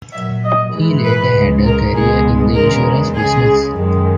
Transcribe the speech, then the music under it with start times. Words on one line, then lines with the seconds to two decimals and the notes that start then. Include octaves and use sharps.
He later had a career in the insurance business.
0.13 A#2 F#3 E5
0.44 D#5
0.73 G#2 E3 G#3
1.04 B4
1.34 C#2 C#3 G#3
1.64 A#4
1.94 C#2 B2 G#3 G#4
2.54 E2 C#3 G#3 A#4
3.15 C#2 C#3 G#3 G#4
3.76 F#2 D#3 G#3